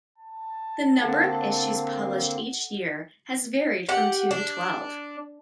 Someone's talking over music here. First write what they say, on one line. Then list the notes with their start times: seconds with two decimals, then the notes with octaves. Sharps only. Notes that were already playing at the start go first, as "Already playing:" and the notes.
The number of issues published each year has varied from two to twelve.
0.18 A5
1.02 D3 A#3 C4 A4 F#5
3.89 G4 F#5
4.31 D4